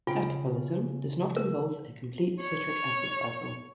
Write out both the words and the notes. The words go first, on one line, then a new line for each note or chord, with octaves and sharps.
Catabolism does not involve a complete citric acid cycle.
C#3 F4 G5
A#4
C#5